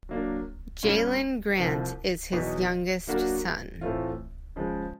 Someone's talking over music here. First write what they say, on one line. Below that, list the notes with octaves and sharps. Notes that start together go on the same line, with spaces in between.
Jaelin Grant is his youngest son.
F#3 A#3 D4
A#2 G3 A#3 C#4
C2 C3 F3
E2 B2 F#3 B3 D#4
F#3 A#3 D4 F#4 A#4
A2 E3 A3 C4 F4
C#3 F3 G#3